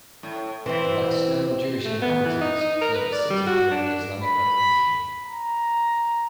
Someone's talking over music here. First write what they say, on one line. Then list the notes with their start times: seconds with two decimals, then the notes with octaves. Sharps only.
The last known Jewish inhabitants fled the city during the Islamic Revolution.
0.23 A2
0.66 E3 C4 E4
1.85 A3
2.02 B3
2.25 E3
2.41 D#4
2.61 D#4
2.81 A#4
2.94 B4
3.12 D5
3.30 G3
3.47 F#4
3.71 D4
4.23 B5
5.24 A#5